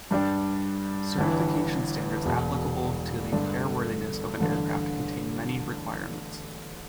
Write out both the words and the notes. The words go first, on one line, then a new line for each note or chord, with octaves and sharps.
Certification standards applicable to the airworthiness of an aircraft contain many requirements.
G2 G3 D4
G1 G2 E3
E1 E2 B2
G2 D3 A3 D4
A1 G2 D3